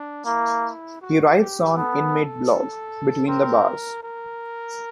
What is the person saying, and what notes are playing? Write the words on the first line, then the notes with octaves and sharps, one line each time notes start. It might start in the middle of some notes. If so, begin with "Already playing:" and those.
He writes on inmate blog "Between the Bars".
Already playing: D4
A#3 E4
F#4
G4
B3 A4
C4 A#4
A#4